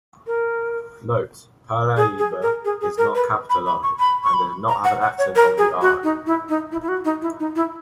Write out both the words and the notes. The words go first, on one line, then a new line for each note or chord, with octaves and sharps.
Note "paraiba" is not capitalized, and does not have an accent on the "i".
A#4
G#4
G#4
A#4
G#4
G#4
A#4
B4
B5
B5
C#6
B5
C#6
B5
A#5
F#5
F#5
C#5
A#4
G#4
F#4
D#4
E4
D#4
E4
E4
F#4
D#4
E4
D#4
E4